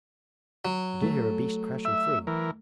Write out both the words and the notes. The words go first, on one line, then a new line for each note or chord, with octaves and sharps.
'I did hear a beast crashing through.
F#3
A3
E5
E3 A#4